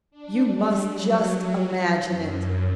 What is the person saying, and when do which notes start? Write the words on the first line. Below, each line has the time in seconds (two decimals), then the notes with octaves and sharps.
You must just imagine it.
0.11 D4
0.50 G3
0.89 F#3
2.00 F#2